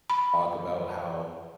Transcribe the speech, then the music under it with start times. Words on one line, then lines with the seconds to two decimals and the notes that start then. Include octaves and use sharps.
talk about how
0.10 B5